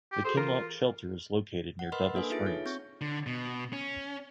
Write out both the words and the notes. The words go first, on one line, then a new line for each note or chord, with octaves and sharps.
The Kinlock Shelter is located near Double Springs.
G4
F#4 G#4 A4 C5
E3 F4 A#4
F#5
A#4 B4 D#5 B5 C6 F6
A#3 D4 A4 B4 G#5
D#4 F4 G#4 E5 A6 D7
C#5
C4 C#6 G6
D3
B2
C#4